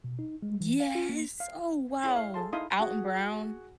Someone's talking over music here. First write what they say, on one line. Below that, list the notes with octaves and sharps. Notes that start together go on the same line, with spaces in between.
Yes! Oh wow, Alton Brown.
B2
D#4
G#3
E3
F5
F4
A#3
F5
E4 G#4 C#5
E5 F5
G#4 A4 A5 C6
D#4 E4 D#5 F5 C6 D#6
F#4 G#4 F#5